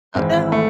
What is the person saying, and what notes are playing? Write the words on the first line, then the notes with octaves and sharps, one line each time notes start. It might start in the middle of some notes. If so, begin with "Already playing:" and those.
Oh, no.
G#1 G#2 E3 C4
A3